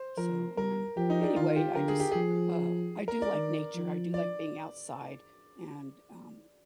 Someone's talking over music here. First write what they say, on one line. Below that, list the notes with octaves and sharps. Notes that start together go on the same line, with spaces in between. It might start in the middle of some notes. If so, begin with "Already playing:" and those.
So, um, anyway, I just, uh I do like nature, I do like being outside and, um,
Already playing: C5
F3 A#4
G3 A#4
F3 G4
D#4
D4
D#3 F4
G4
D3 A#4
G#4
G4
F3 G#4
A#4
D5
D#3
F3
D5